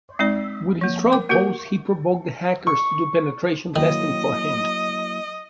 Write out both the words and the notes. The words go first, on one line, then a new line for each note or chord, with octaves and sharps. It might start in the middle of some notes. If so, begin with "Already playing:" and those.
With his troll post he provoked the hackers to do penetration testing for him.
G#3 C4 D#4 D5
F3 A#3
A#4 D6
A#3 F#4 G4 A#4 F#5
C#6
D#3 F#3 A#3 E4 D#5